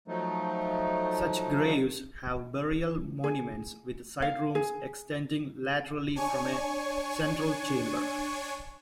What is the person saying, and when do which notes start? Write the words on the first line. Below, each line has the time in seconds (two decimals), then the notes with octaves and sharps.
Such graves have burial monuments with side rooms extending laterally from a central chamber.
0.08 F3 F#3 A3 D#4
3.24 G#4
4.22 F5
4.55 G#4
6.16 D4 C#5 G#5 C#6